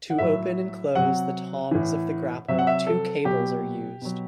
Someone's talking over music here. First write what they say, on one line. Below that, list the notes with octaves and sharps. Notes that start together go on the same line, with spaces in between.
To open and close the tongs of the grapple, two cables are used.
F#5
A2 F#3 E5
C3 F#3 F#5
A2 E3
C3 F#3 E5
F#5
E5
A4
B2 F#3 G4
B2 F#3